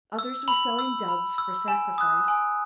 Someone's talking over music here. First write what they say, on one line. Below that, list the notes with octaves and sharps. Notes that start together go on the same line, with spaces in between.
Others were selling doves for sacrifice.
E6
B5 F#7
E6
B5
E6
G#5 E7
D#6 F#6
G#5